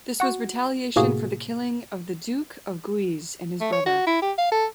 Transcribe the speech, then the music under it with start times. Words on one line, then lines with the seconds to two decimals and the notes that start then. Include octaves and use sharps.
This was retaliation for the killing of the Duke of Guise and his brother.
0.20 F#4 F#5
0.96 A2 C3 A#3 F#4 G#4
3.61 A3
3.72 C#5
3.86 F#4
4.07 E4
4.22 G4
4.38 F5
4.52 A4